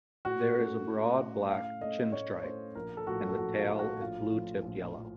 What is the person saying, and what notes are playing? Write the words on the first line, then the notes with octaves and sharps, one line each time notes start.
There is a broad black chin stripe and the tail is blue tipped yellow.
A2 F#4
A3 C#4 A4
A2
A3 C#4 A4
A2 F5
A3 C#4 A4 D#5
A2 C#5
A3 C#4 A4 C5
A#1 A#4
A4
A2 F3 F#4
A4
A#1 F#4
F4
A2 F3
F#4
A#1 F4
A2 F3
A#1
A2 F3